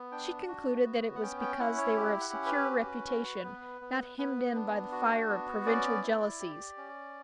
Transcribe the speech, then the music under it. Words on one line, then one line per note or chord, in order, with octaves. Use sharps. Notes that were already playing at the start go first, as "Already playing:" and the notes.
She concluded that it was because they were of secure reputation, not hemmed in by the fire of provincial jealousies.
Already playing: B3
D4 G5
F#4
B3
F#5
C#4 G5
G5
E4 F#5
C#5
G4
F#5
C#4
B4
F#4
F#4
B3
B3
B3 B4
D4
F#4
B3
C#4 D5
E4
G4
C#4